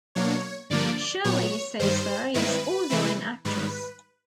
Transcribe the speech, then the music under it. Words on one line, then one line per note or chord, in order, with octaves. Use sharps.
Shirley Caesar is also an actress.
B2 F#3 A#3 D4 C#5
G2 D3 F3 A#3 D4 D5
A#2 F#3 B3 C#5
G2 D#3 G3 C5
G2 D#3 G#3 C4 E4 B4
C3 E3 A3 C4 E4
G#2 D#3 G3 B4